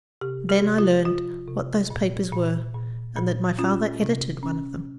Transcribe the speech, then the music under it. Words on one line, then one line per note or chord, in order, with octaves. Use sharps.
Then I learned what those papers were, and that my father edited one of them.
C3 G4
G4
C3
F4
F3 F4
C3
A#2
A#2
A#2
A#2
C#4 F4
C3
C#4